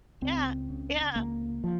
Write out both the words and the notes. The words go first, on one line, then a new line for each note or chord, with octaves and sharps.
Yeah. Yeah.
C#2 C4
C#3
C#2 A#3
F3